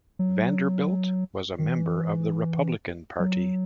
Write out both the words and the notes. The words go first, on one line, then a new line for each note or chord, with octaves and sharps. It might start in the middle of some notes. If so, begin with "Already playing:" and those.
Vanderbilt was a member of the Republican Party.
F#3
D#3
E3
F#3